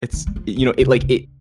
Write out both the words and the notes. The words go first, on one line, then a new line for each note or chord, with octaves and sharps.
It's, you know, it, like, it
D#3
G3
F3
A#2
C3
C3
D3